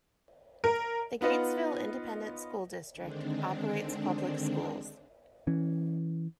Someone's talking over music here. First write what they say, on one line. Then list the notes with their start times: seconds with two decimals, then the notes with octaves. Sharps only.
The Gatesville Independent School District operates public schools.
0.64 A#4
1.21 B3 D#4 F4 B4 D#5 F#5
2.94 D3 D#3 G#3 C4 D4
5.47 E3 C#4